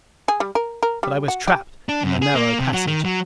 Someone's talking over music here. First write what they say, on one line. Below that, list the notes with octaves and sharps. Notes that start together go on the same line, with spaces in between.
But I was trapped in the narrow passage.
G#4
G3
A#4
A#4
G3
F#4
G4
D4
F#2
G#4
A#3
C3
F#3
D#3
F#3